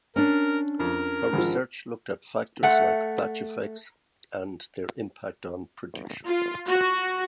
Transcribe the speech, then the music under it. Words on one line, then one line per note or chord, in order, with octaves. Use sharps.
Her research looked at factors like batch effects and their impact on prediction.
C#4 D4 A#4
F2 A#4
G#1 F3
A3 F#5
F4
F#4